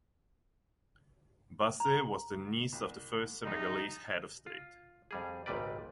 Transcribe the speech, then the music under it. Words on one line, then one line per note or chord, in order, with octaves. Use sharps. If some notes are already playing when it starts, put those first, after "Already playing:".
Basse was the niece of the first Senegalese Head of State.
A#5
C2
A#1 G3 G#3 D#4
F4
F2 G3 G#4
G#1 C#2 A#2 G3 B4 D5